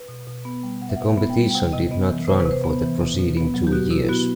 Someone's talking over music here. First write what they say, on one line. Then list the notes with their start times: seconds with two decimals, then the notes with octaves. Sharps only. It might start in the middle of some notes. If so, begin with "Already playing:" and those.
The competition did not run for the proceeding two years.
Already playing: B4
0.08 B2
0.27 B2
0.45 B3
0.63 G3
0.82 B2 F#5
0.89 E5
0.96 F#5
1.00 B2 E5
1.18 B3
1.30 G5
1.37 G3
1.50 G5
1.54 C3 F#5
1.72 C3 D#5
1.91 B3 D#5
2.08 E3
2.28 C3 C5
2.40 B4
2.46 C3
2.51 C5
2.64 B3
2.82 E3
3.00 B2
3.19 B2
3.37 B3
3.54 F#3
3.67 G4
3.72 B2 F#4
3.90 B2 E4
4.09 B3 F#4